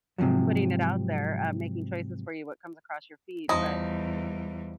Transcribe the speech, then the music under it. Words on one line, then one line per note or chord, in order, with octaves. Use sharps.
putting it out there, um, making choices for you what comes across your feed. But,
G#2 C3 D#3 F3 F#3
E2 F3 G3 D#4